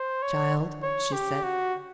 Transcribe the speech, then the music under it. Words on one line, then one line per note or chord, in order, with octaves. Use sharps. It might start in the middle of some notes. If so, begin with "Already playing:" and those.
"Child," she said.
Already playing: C5
C#5
C#5
G4
F#4